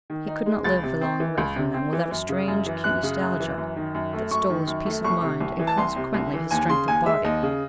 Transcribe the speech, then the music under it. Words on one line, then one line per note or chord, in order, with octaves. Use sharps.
He could not live for long away from them without a strange, acute nostalgia that stole his peace of mind and consequently his strength of body.
D#3
D#4
G#3
C#2 A6
C3
C4
E3
C#2
C3
C4
E3
F#2
C#3
F#2
E3
F#2 F#6
C#3
F#2
E3
F#2
D#3
F#2
A3
F#2 C#6
D#3
F#2
A3
C2 C#6
C3
C2
E3
A5
C2 C6
C3
C2
E3
D#2 G#5
C#3 C6
D#2 G#5
G#3 E5
D#2 D#5
C#3